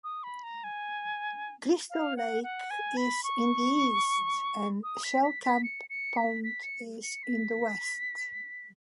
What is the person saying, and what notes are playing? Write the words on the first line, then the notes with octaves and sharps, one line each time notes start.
Crystal Lake is in the east, and Shellcamp Pond is in the west.
D#6
B5
A#5
G#5
F5
F#5
F#5
G#5
B5
C#6
D#6
B6
B6
B6
C#7
C#7
B6
B6
C#7
C#7
B6